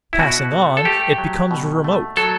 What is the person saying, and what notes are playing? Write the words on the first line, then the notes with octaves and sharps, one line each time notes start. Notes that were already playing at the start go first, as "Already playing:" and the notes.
Passing on, it becomes remote.
E4
B2 F#4
A3
A4
A3 G4
F#3
B2
A3
F#3 A4